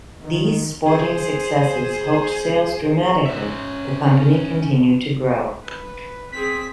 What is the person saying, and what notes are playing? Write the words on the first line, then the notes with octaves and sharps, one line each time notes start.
These sporting successes helped sales dramatically, the company continued to grow.
D#3
G#4 C5
C#4 E5
B4
C4 G#4 B6